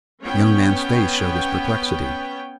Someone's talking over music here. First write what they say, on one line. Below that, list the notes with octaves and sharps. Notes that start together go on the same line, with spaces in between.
The young man's face showed his perplexity.
B3 C#4 C#5 G5